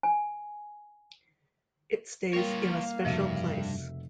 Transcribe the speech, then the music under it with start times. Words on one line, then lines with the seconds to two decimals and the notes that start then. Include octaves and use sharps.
It stays in a special place.
0.03 G#5
2.33 G3 A#3 F4 A#4 C#5 F5
3.05 F1 G2 C#3 F3 F#4 E5